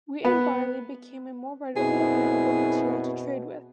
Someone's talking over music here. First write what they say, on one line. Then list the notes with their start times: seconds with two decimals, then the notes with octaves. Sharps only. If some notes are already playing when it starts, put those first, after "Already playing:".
Wheat and barley became a more readily available material to trade with.
0.25 B3
1.76 F#2 B2 C4 E4 G#4